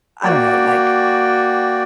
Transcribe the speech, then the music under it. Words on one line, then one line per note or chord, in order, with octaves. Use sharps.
I don't know, like,
A#3 F#4 D5 G5